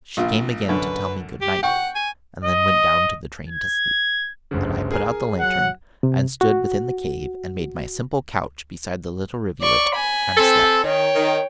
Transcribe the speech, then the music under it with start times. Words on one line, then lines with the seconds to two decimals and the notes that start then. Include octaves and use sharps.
She came again to tell me good-night, and then went down to the train to sleep; and I put out the lantern, and stooped within the cave, and made my simple couch beside the little rivulet, and slept.
0.17 A#1 F4
0.69 F#2 D3 B4
1.42 G4
1.63 F#5 G5 C#6
1.95 G#5
2.44 D#5
3.49 G#6
4.51 G1 D2 C#3
4.92 G#4 A#4 G#5
5.40 F#3 F#5
6.03 C3
6.41 F#4
9.61 D5 C#6
9.95 G#5 B5
10.37 C4 A4
10.84 D#3 C#5 G5
11.15 D#3